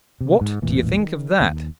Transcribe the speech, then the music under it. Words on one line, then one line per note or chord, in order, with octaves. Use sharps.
"What do you think of that?"
C3
G#2
E1 A1 A#2 E3
D#3
D#2